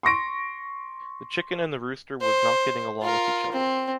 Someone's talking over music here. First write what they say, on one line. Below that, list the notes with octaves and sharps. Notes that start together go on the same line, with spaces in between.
The chicken and the rooster was not get along with each other.
C6 C#6 A#6 D7
C5
F4 A#4
C4